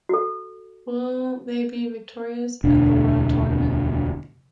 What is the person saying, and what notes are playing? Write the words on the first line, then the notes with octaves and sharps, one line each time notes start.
Will they be victorious at the world tournament?
F#4 A4
E1 D2 B2 D4